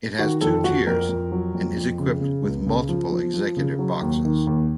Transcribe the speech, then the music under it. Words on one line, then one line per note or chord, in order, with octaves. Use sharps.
It has two tiers and is equipped with multiple executive boxes.
D#3 F#4
F2 A4
F2 F#4
F2 A#4
F2
F#3
F2
F2
C#3
C#3
C#2
C#3
F3
F3
F3
C#3
F#3
D#2
D#3
D#2